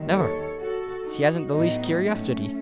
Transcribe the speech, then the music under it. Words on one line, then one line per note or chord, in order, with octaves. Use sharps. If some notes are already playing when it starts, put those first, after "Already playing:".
"Never; he hasn't the least curiosity."
Already playing: D#2 D#3 F#3
A4 C#5
F#4 A4
D#4 F#4
A2 F#3 B3 D#4
A3 C#4